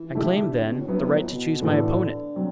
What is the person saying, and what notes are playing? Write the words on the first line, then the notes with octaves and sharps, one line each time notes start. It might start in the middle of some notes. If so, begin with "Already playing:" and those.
I claim, then, the right to choose my opponent.
Already playing: E3
D3 A3 E4 G4
D3
C3
B2
A2
G2 F#3 B3 E4
B2
A2
B2
A2 D3 E3 B3 F#4 A4
F#3 C4